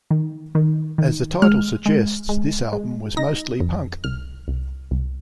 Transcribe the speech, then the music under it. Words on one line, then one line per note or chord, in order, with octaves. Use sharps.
As the title suggests, this album was mostly punk.
D#3
D#3
D#3
G#3 F6
G#3
G#3
G#3
D#4 A#6
F2
C2 F6
C2
C2